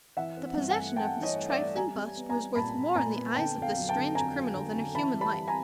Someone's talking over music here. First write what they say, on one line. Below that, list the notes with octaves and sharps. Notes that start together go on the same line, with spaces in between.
The possession of this trifling bust was worth more, in the eyes of this strange criminal, than a human life.
E3 E5 F#5
C4
G2
F#5 G#5
A3
C4 G5 A5
E3
C#5 D#5
A3
D5 E5
A3
G3 G#5 A#5
G3
B3
G#5 A#5
G3
A#2 A5 B5
A#2
A#2 G#5 A#5
B3
D3 G5 A5
F2
F5 G5
F#3
G5 A5
D3
F2 G#5 A#5
F#3
D3
D3
E3 A5 B5
G3
A5 B5
E3
G#5 A#5